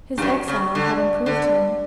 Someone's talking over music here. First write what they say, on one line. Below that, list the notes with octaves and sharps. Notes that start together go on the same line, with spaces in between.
His exile had improved him.
G2
F#2
C#3
D3
D3